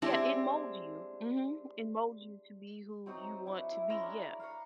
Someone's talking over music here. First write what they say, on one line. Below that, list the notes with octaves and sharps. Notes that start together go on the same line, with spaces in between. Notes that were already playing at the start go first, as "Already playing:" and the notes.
Yeah, it molds you. Mhm. It molds you to be who you want to be, yeah,
G#3 C4 D4 E4 G4
F#3 C4 D#4 F#4
D4 E4
E4
G#3 C#4 E4 A#5
D4
F5 A#5 B5 C#6